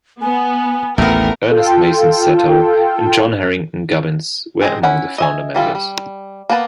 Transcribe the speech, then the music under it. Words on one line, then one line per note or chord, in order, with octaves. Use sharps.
Ernest Mason Satow and John Harington Gubbins were among the founder members.
B3 G#5
A1 D#2 A2 A3 B3 A#4 G5
F4 A4 G5
G#3 A3 C4 G#4
C#4 E4 F#5
D#5 E5 G#5
E3 G3 F4 A4
G3
A#3 B3 B4 A5